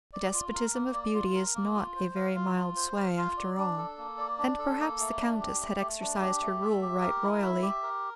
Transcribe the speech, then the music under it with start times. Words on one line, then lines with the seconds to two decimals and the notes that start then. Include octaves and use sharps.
The despotism of beauty is not a very mild sway, after all; and perhaps the Countess had exercised her rule right royally.
0.13 D5
0.33 F4
0.54 A#4
0.74 A#3
0.94 D5
1.14 F4
1.34 A#4
1.55 A#3
1.75 F4
1.96 C5
2.15 F5
2.36 F4
2.56 F4
2.76 C5
2.96 F5
3.17 F4
3.37 D5
3.57 D4
3.78 A4
3.98 A#3
4.18 D5
4.39 D4
4.59 A4
4.79 A#3
5.00 A3
5.20 D4
5.40 G4
5.60 A3
5.80 A3
6.01 D4
6.21 G4
6.41 A3
6.62 E5
6.82 G4
7.02 A#4
7.22 E4
7.42 E5
7.62 G4
7.83 A#4